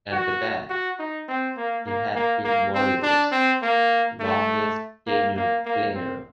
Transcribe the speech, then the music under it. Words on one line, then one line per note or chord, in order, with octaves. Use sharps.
At the time, he had been the Warriors' longest-tenured player.
F#4
F#4
D#4
C4
A#3
A#3
A#3
A#3
C4
D4
C4
A#3
A3
A#3
A#3
A#3
C4